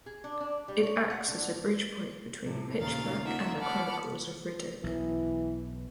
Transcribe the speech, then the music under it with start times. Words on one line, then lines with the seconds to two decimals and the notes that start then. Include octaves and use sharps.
It acts as a bridgepoint between "Pitch Black" and "The Chronicles of Riddick".
0.06 G#4
0.24 D4
0.40 D4
0.68 G3
0.83 C#5
1.11 F#5
1.28 D3
2.46 A2 C3
2.79 D#2 A#2 C#3 D#4 F5 A6
3.22 A3 A#3 D#4 F4 E5 F#5
3.60 F#5 A5 B5 D6 F6
4.84 B1 E3